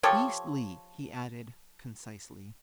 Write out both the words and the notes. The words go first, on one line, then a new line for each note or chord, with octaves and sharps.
"Beastly!" he added concisely.
F3 G4 A4 C#5